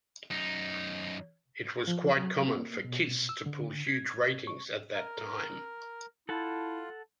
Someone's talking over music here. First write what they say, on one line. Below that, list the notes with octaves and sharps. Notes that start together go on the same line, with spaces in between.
It was quite common for "Kiss" to pull huge ratings at that time.
F#2 D#4
F3
F#3
A#3
B2
E6
D3
G#6
C#6
A#4
E4 F4 A4 F#5 A5